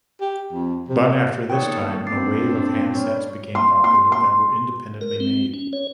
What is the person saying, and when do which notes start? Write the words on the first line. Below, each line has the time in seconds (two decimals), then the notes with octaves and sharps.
But after this time, a wave of handsets become popular that were independently made.
0.21 G4
0.52 F2
0.88 C3
1.50 A#2 D#3 B3 A4 C#5 G5
2.07 G2 C4 D4 D6 A6 C7
2.93 G3 C#4
3.55 C6
3.84 C6
4.12 C6
5.01 A#4
5.20 C4
5.54 C#4
5.73 C#5